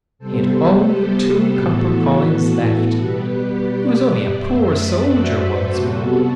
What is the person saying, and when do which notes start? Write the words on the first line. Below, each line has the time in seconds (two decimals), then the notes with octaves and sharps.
He had only two copper coins left: he was only a poor soldier once more.
0.19 C3 G3 B3 A4 C5
0.87 G4
1.56 A2 E3 B3 F#4 A4
2.94 B2 G3 B3 G4 B4
3.62 B4 D5
4.32 F#2 F#3 A3 C5 E5
4.67 B4 D5
5.00 F#4 A4
5.69 C3 G3 B3 F#4 A4